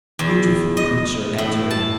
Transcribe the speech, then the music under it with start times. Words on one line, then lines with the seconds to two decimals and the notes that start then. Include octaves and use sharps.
A beautiful creature entered.
0.19 E2
0.77 D#5
1.38 A2
1.71 A5